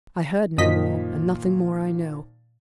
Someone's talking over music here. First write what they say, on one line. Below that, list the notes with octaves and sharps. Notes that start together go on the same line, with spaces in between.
I heard no more, and nothing more I know.
F#2 A#2 D#3 F3 D#5 B6